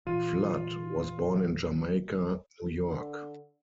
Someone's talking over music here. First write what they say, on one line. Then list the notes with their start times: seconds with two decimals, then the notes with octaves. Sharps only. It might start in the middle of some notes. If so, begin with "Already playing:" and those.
Flood was born in Jamaica, New York.
0.07 A#2 E3 F4 D#7
2.86 D3